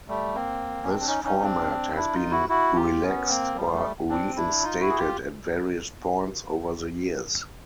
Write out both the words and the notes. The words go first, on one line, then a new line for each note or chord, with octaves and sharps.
This format has been relaxed or reinstated at various points over the years.
G3 A3
A#3 C4
C#4
C4 D4
D4
C#4 D#4
C#4 D#4
C4 D4
D4 E4
D#4 F4
E4 F#4
E4 F#4
F4 G4
B3 C#4
A#3 C4
F3 G3
G3 A3
C4 D4
D4 E4
D#4 F4
E4 F#4
G#4
F4 G4